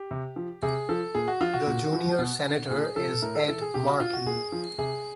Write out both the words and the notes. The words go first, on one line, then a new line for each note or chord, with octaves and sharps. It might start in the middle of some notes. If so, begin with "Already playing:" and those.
The junior senator is Ed Markey.
Already playing: G4
C3
F3
C3 G#4
F3 A4
A#2 G#4
F#4
F3 F4
F#4
A#2
F3
B2
A#2 G#4
F3 A4
A2 A#4
A4
E3 A4
G#4
B2 G4
F#4
F4
F#4
A#2 G#4
F3
C3 G#4